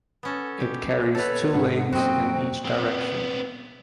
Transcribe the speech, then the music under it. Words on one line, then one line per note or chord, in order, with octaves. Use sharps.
It carries two lanes in each direction.
B3 C#4 A4
G4
B3 A4 B4 C#5
G#2 B2 F#5
F#2 A#2 C4 F#4 D#5 G5
B3 C4